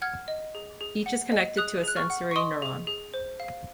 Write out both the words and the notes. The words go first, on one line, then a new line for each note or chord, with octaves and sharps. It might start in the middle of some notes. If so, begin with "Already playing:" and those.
Each is connected to a sensory neuron.
F#5 F6 G#6
D#5
G#4
G#4
F#5
D#5
G#4 D#6 F#6
G#4 F#6
C#6 F6
F#5
C#6
D#5 C6 D#6
G#4
G#4
C5
F5